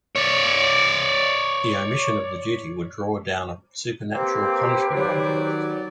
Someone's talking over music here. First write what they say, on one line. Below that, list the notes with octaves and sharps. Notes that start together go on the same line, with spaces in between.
The omission of the duty would draw down a supernatural punishment on them.
C#5 D5
A#3 C4 G4 B4 C5
D#3 F#3 D5